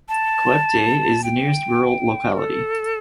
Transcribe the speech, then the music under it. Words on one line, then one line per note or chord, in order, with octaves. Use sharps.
Koepty is the nearest rural locality.
A5
G5
A#4
A4